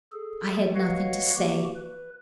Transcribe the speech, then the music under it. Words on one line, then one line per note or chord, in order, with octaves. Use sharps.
I had nothing to say.
G#4 A4
F#4 B4 C#5 D#5 F5 F#5
E3 A#3 F#4 G4
B4